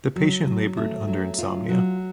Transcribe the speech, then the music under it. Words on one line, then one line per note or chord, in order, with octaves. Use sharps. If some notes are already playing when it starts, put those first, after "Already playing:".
The patient labored under insomnia.
F#3
F#3
A3
F#3
F4
F#3